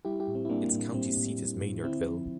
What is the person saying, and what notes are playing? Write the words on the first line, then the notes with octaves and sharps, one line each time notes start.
Its county seat is Maynardville.
G3 E4 G4
E4 G4
A2
C4
E4
G3 A#3 D4
A#3
A2
A#3
G3 C4
A2
G3
A2
D3 C4 E4
F3